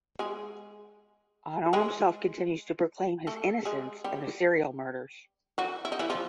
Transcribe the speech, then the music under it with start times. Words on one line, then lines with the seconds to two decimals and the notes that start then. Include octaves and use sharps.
Ono himself continues to proclaim his innocence in the serial murders.
0.19 G#3 G#4
1.73 G#3 G#4
3.27 A3 A4
3.65 G#3 G#4
4.04 G3 G4
5.58 F#3 F#4
5.85 E4
5.92 D#4
5.99 E3 E4
6.10 F3 F4